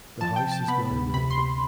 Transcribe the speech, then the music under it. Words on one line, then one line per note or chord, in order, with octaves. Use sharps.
The house is now ruined.
F3 A5
G5
C3
A5
B3 B5
D2
C3 B5
C6
C3